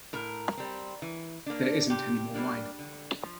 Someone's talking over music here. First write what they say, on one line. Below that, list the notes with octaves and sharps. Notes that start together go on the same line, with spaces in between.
There isn't any more wine.
A2 A#4
G3 C4
E3
A#3 D4
C3 G4
G3 A#3 D4
D3
F3